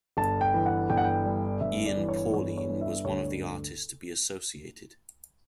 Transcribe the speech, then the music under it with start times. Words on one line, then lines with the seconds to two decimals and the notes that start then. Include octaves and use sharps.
Ian Paulin was one of the artists to be associated.
0.17 G1 A5
0.41 G5
0.54 E3
0.66 F#5
0.90 G1 G5
0.97 F#5
1.04 G5
1.25 G2
1.61 G1 E5
1.86 D5
1.97 E3
2.09 C#5
2.34 G1 C#5
2.58 C#5
2.69 G2
2.81 E5
3.04 D2 C#5